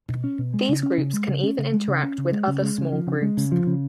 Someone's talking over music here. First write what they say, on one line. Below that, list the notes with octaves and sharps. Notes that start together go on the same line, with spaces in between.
These groups can even interact with other small groups.
B2
C#4
B2
G#3
C#3
C#4
C#3
G#3
C#3
C#4
C#3
G#3
C#3
C#4
C#3
G#3
C#3
G#3
C#3
F3
C#3
G#3
C#3
F3
C#3